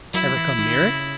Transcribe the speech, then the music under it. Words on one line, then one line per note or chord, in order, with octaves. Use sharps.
"Ever come near it?"
F#3 E4
E3
D#3
C#3